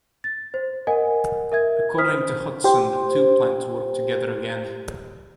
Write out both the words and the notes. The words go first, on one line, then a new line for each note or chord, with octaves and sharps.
According to Hutson, the two plan to work together again.
A6
C5
A#4 D#5 F#5 G#5
A#4 E5 G#6
C5 D#6 F6 B6
C5
G4 C5